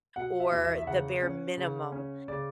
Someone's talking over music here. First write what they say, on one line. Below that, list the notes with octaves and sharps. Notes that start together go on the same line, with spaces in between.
or the bare minimum.
B2 F#5
E5
E2
E5
E5
C#3 F#5
C#4
C#3
C#4
C#3 D5